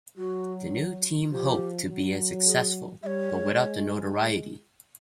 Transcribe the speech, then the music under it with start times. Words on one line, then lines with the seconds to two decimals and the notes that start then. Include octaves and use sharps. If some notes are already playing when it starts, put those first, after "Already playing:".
The new team hoped to be as successful but without the notoriety.
0.18 F#3 F#4
1.32 F3 G4
1.89 F#3
2.46 G#4
3.03 G3 C#5 E5
3.32 G#3